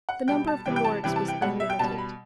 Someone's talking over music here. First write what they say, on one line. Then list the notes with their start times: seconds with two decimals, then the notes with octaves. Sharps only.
The number of the Lords was unlimited.
0.09 F#5
0.28 B2 G3 G5
0.47 A5
0.66 C3 E3 G3 G5
0.76 G5
0.85 A5
1.03 C3 E3 G3 G5
1.16 A5
1.28 G5
1.42 B2 G3 F#5
1.60 E5
1.70 G5
1.79 B2 G3 A5
1.98 B5